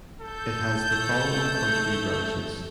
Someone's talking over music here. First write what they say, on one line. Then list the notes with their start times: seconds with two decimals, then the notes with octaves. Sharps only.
It has the following country branches.
0.21 A4 G6
0.91 A3